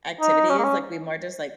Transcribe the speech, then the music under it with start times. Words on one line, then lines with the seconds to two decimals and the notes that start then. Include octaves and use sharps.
activities, like, we more just, like,
0.20 D#4
0.49 C#4
0.59 A#3
0.64 C#4